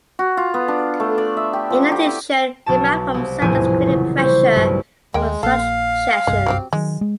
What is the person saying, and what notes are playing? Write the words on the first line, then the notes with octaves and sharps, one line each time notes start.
In addition, demand from settlers created pressure for such cessions.
F#4
F4
B3
D4
A3
D5
E5
G4
F3
G4
E4
B1 B2 A5
C2
F1 A#1 E2 A2 C5 G#5
C#3 F#3 G3
G3 E4 C5 C#5
B1 G2 A3
D#2 G#3 A#3 G5
A#1 A#3 A4 F5
F#1 C2 G2 G#3
F#3 C4 G4
D#3 F#3 G#3
G#3